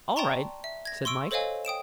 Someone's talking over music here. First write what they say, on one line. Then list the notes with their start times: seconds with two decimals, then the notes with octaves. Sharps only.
"All right," said Mike.
0.16 D5 G5 A5 A#5 C6 C#6
0.64 E5
0.85 G#6 A#6
1.05 C6 C#6 E6 D7
1.31 A4 C5 C#5 D#5 F5 G#5
1.65 G5 D#6 D7 E7